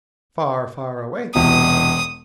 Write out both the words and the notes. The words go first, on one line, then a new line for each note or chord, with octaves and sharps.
"Far, far away!"
E1 C2 B2 D#6